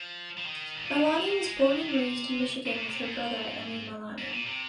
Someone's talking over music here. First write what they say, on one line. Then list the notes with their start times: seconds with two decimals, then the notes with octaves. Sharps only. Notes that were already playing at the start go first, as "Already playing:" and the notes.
Malani was born and raised in Michigan with her brother Anu Malani.
Already playing: F3
0.38 F3
0.45 D#3
0.74 G#2
0.84 A#2
0.94 C3
1.02 C#3
1.17 F3
1.26 G#3
1.31 A#3
1.45 G#3
1.60 F3
1.70 F3
1.74 D#3
1.89 C3
2.75 A#2
2.89 C3
3.04 G#2
4.18 G#2
4.28 C3
4.32 A#2
4.46 C3